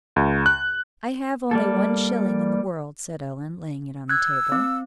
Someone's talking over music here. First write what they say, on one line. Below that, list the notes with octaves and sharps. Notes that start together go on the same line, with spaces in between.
"I have only one shilling in the world," said Ellen, laying it on the table.
C#2
F#6
G3 A#3 A4
E6 F#6 G#6
C4